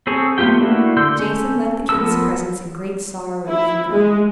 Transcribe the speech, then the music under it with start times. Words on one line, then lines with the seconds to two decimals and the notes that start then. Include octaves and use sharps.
Jason left the king's presence in great sorrow and anger.
0.07 C4 G#4 A4 C#5
0.38 A3 B3 F4 G4 G5
0.59 A3 A#3 D4 E4 F#4
0.97 D3 C6 E6 G6
1.19 C#4 A4
1.89 F3 B3 A#4 A5 E6
3.48 E4
3.93 G#3